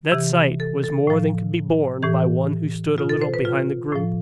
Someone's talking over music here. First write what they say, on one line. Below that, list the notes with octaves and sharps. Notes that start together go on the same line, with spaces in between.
That sight was more than could be borne by one who stood a little behind the group.
C3 E3 G4
A4
A4
A2 F3
A2 E3 G4
B2 F4
A4
C5
B4
F4
A2 F3